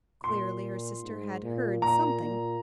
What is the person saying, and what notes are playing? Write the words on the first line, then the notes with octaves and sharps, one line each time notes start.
Clearly her sister had heard something.
A#2 C6
G#2
A#2
A#2 A#5
A#2